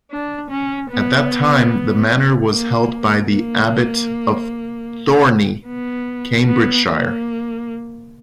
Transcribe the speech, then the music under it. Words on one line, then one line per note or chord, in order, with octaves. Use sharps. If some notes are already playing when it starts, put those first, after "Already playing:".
At that time the manor was held by the Abbot of Thorney, Cambridgeshire.
D4
C#4
B3
A#3
A#3
B3
B3
A#3